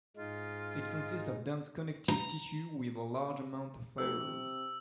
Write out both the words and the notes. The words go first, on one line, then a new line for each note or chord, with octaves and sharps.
It consists of dense connective tissue with a large amount of fibers.
G#2 G#3 D#4 F4
A#5
F1 E6
C3